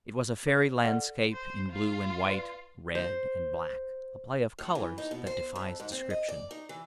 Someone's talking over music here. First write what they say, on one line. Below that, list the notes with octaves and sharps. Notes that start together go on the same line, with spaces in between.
It was a fairy landscape in blue and white, red and black, a play of colours that defies description.
C#5
A4 D5 F#5
C5
F4
B4 D5
C5
A2
E3
D#4
B2
C5
F2
G#2
C4
D#5
D5
D#4
E3